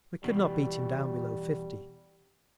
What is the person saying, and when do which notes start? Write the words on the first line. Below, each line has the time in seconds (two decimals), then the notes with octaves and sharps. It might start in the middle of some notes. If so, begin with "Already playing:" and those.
We could not beat him down below fifty....
0.24 E2 B2 G3